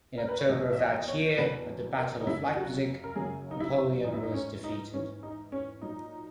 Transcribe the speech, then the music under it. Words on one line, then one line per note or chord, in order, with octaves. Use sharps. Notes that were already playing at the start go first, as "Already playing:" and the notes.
In October of that year, at the Battle of Leipzig, Napoleon was defeated.
A#4
B4
C#5
E2 B2 F#3 D#5
E5
D#5
D#5
C#5
E2 B2 F#3 B4
A#4
D#4
F#2 C#3 F#3 E4
F#4
A#4
F#2 C#3 F#3 G#4
D#4
E4
G#2 E3 D#4
E4
D#4
C#4
D#4
G#2 E3 C#4
D#4
C#4
A#2 F#3 D#4